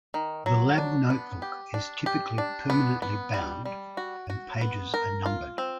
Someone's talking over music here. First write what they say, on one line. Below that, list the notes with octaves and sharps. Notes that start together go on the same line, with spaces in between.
The lab notebook is typically permanently bound and pages are numbered.
D#3
F#3
D4
B3
G4
D4
G4
D4
B3
B3
G3
G3
F#4
F#4
B3
A#4
F4
C4